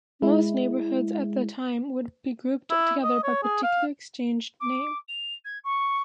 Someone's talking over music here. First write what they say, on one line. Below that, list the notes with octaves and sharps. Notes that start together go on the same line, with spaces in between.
Most neighborhoods at the time would be grouped together by a particular exchange name.
G#3 E4
E4
D#5
C#5
G#4
F5
D6
F7
G#6
C#6